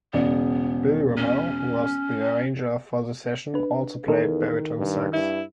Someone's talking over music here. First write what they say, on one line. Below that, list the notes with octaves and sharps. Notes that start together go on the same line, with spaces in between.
Bill Ramall, who was the arranger for the session, also played baritone sax.
E1 C#3 B3 D5
C#4
D4 B4
E2 D#3 A4 A#4
G2
G2 E4